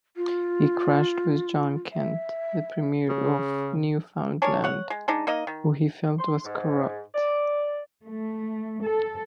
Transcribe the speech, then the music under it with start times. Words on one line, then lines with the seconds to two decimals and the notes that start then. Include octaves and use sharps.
He clashed with John Kent, the premier of Newfoundland, who he felt was corrupt.
0.17 F4
1.93 E5
3.09 C#3
4.42 C#4 D4 A#4 C#5
4.64 C#5 F#5
4.90 G#3
5.08 G#3 D4 D#4
5.27 A#3 D#4 D#5
5.47 D#3
6.18 C6
6.44 G#2
7.14 D5
8.05 A3
8.84 A4